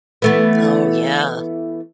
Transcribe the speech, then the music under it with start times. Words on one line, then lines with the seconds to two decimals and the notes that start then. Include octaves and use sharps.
Oh, yeah.
0.22 E3 A3 B3